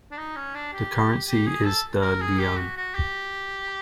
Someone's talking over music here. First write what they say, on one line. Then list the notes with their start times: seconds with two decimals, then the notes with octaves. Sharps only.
The currency is the leone.
0.11 D4
0.18 D#4
0.36 C#4
0.54 D4
0.73 G4
1.28 G4
1.46 G#4
1.66 A4
2.02 A#4
2.21 G#4
2.38 G4
2.57 F#4
2.76 F#4
2.94 G4